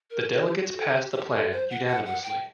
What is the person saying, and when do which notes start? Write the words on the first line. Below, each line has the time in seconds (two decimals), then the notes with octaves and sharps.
The delegates passed the plan unanimously.
0.10 A#4
0.28 F#4
0.46 G4
0.64 F#4
0.77 A4
0.88 G4
1.11 G4
1.35 A4
1.52 C5
1.70 F#5
1.87 F#5
2.06 F#5
2.23 G5